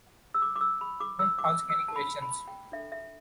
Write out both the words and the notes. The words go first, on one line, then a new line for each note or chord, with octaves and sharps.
Don’t ask any questions.
E6
D6
D6
E6
B5
D6
E6
D6
E6
E6
A5
B5
B5
G5
D4 A4 E5
E5